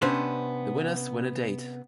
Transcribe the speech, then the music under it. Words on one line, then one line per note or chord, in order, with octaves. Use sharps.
The winners win a date.
C3 B3 C#4 D4 C5